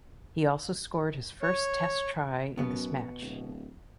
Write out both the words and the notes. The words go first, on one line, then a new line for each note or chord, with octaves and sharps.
He also scored his first test try in this match.
C#5
F#2 B2 B3
D1